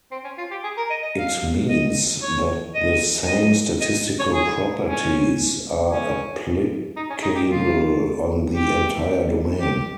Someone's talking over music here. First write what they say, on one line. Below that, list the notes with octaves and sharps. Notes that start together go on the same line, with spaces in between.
It means that the same statistical properties are applicable on the entire domain.
C4
C#4
F4
G4
G#4
A#4
D#5
D#5
F5
D#5
C#5
D#5
D#5
D#5
C#5
G#4
C#4
C#4
D#4
C#4
D#4
G4
F4
G4
G4